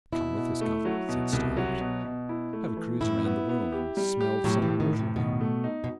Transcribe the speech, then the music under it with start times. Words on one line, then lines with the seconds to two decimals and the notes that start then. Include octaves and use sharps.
'Come with us, governor,' says Starlight, 'have a cruise round the world, and smell salt water again.
0.12 B2 E4
0.37 B2
0.61 A3
0.85 F#3
1.09 B2
1.33 C2
1.57 F#3
1.81 B2
2.05 B2
2.29 E4
2.53 A3
2.77 E3
3.01 A2 E4
3.25 B3
3.49 B3
3.72 G4
3.97 G3
4.21 G4
4.44 A2 F#3
4.62 E3
4.68 A2
4.80 D#3
4.93 A2
4.99 C3
5.16 B2 D#3
5.41 A3
5.64 D#4
5.84 B2